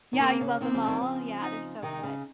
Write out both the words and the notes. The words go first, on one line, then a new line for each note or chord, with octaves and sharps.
yeah, you love 'em all? Yeah, they're so good.
D#3
C#3 A#3
C#3
C3 D#3 C4
C#3 F3
D#3 G3
C#3 F3
D#4
C3 D#3 D#4
C#3